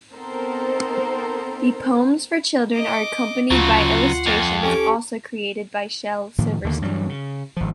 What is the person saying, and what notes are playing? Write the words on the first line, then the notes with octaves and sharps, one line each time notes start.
The poems for children are accompanied by illustrations also created by Shel Silverstein.
B3 C4 D#4 A4 A#4 C5
D#5 D6
D2 C#3 F#3 F4 F#5 C6 C#6
F2
C#4 G4 A4 G#5 D6
A2 D#3 F3 A#3
D#2 D3 D#3 A#3
G2 E3 F#3 G3
C#3
G#1 F3